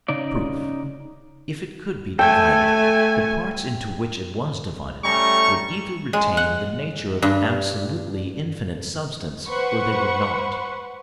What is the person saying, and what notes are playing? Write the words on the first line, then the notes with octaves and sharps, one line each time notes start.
Proof.--If it could be divided, the parts into which it was divided would either retain the nature of absolutely infinite substance, or they would not.
C#3 D#4 D5
A3 A4 G5 G#5
G3 A3 C#4 A#5 C#6
G#3
F#5
G2
B4 C5 F#5 C#6